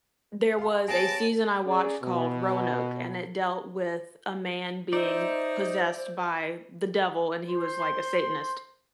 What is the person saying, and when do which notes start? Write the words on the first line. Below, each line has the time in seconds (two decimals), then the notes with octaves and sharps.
there was a season I watched called Roanoke, and it dealt with a man being possessed by the devil and he was like a Satanist.
0.58 F5 C6
0.88 B3 G#4 C#5 A5 A#6 D7
1.66 C#4 G#4 D5
2.03 B2
4.93 D#4 C5 D5 E5
7.50 C5 C6